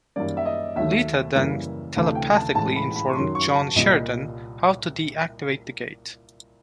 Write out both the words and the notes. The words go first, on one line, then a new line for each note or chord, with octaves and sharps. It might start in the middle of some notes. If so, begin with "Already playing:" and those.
Lyta then telepathically informs John Sheridan how to deactivate the gate.
F#2 D#3 G3 A#3 D5
E5
D#5
D#2 D#3 F#3 A3 E5
F#2 C#3 E3 G3 A#3
D2 C3 E3 A3 F5
G5
A5
A2 E3 G#3 A5
B5
B5
C#6
F#2 D#3 F#3 C6
C#6
A5
C2 A#2 G3 A#3 D#5